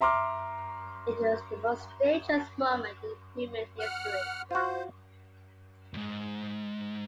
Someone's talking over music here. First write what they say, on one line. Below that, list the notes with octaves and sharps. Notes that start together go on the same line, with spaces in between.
It was the most dangerous moment in human history.
E5 A#5 C6 D6 F6
F#5 F6 F#6
F4 F#4 C5
F2 G#2